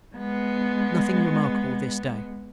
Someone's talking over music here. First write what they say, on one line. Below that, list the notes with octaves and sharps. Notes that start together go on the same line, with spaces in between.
Nothing remarkable this day.
G#3 B3